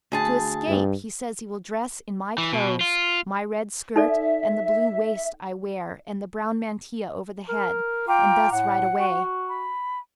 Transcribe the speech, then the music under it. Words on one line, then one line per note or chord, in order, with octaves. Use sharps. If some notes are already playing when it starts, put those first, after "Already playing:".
To escape he says he will dress in my clothes, my red skirt and the blue waist I wear and the brown mantilla over the head, and thus ride away.
D2 G#4 A5
G2
E3
B2
F4
D#4 A4 D5 E5
A#4
F4 G5 A#5 D6
A2 F#5
F#4
B5